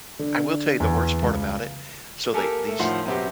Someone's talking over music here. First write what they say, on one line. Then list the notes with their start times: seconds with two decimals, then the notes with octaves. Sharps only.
I will tell you the worst part about it. So, they these
0.19 D3
0.80 E2
1.22 C#2
2.33 A#3 G4 A4 A#4 G#5 A#5
2.67 A3 A4
2.79 A2 D#3 F3 E5 F#5 C6
3.06 F#2 B2 B3 C4 G4